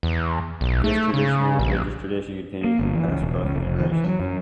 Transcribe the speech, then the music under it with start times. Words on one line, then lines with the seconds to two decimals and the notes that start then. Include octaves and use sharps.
This traditional religious tradition continues to be passed across the generations.
0.03 E2
0.61 B1
0.84 A3
1.14 C#3
1.59 A#1
2.64 A#3
2.79 G1
2.94 E3
3.08 C#2
3.22 E1
3.44 C#2
3.56 F1
3.80 D#3
3.91 E3
4.08 F#3
4.19 F#2